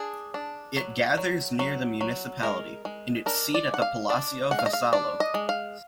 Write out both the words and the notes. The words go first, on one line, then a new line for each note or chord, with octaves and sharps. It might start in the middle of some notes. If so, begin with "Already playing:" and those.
It gathers near the Municipality, in its seat at the Palacio Vassallo.
Already playing: D4 G#4
D4
F#3
F#3
F#3
F#3
G#3 A#4
G#3
D4 A#4
D5
G#3
F#5
F5
D4 D5
G#3 F#5
F5
D#5
F5
D4 D5
D#5
G#3
F5